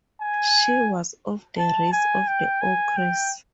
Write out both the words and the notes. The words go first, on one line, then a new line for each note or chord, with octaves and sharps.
She was of the race of the ogres.
G#5
A5
G#5
G5
G#5
G5